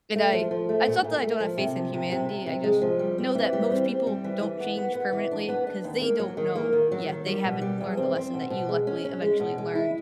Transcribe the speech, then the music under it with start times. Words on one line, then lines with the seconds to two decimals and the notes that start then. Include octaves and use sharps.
And I I thought that I don't have faith in humanity; I just know that most people don't change permanently 'cause they don't know yet, they haven't learned the lesson that you luckily eventually learned
0.16 A3
0.33 F3
0.51 F3
0.69 A3
0.87 A#2
1.04 A#2
1.22 A3
1.40 F3
1.57 C3
1.76 F3
1.94 C3
2.12 C3
2.29 C3
2.46 C3
2.64 G#3
2.82 F3
2.99 G3
3.18 C4
3.35 E3
3.53 G3
3.71 C4
3.89 C4
4.07 G3
4.24 E3
4.43 E3
4.60 B3
4.77 B3
4.95 B3
5.13 E3
5.31 D4
5.48 B3
5.67 D4
5.84 D#2
6.01 A#3
6.20 F#3
6.37 D#3
6.55 A#3
6.73 D#3
6.92 F#3
7.09 D#3
7.26 G3
7.44 B2
7.62 G3
7.80 E2
7.97 C4
8.15 C4
8.34 B2
8.50 B2
8.69 G#3
8.87 C#4
9.05 C#4
9.22 G#3
9.40 B2
9.58 G#3
9.75 E4